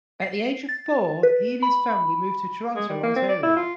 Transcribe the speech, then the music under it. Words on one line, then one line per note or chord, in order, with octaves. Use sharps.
At the age of four, he and his family moved to Toronto, Ontario.
C7
A6
B4
B5
G#3
G3
A#3
C4
D5
E4
F4